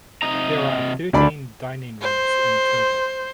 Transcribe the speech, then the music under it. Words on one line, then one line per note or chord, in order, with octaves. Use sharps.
There are thirteen dining rooms in total.
C3 D#5 A#5
D2 D5 B5
C5